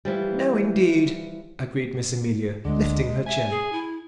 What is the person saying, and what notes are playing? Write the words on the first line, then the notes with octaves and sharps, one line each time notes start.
"No, indeed!" agreed Miss Amelia, lifting her chin.
E3 F3 G3
D2 D3 G#3
E5 G#5
G#4
E4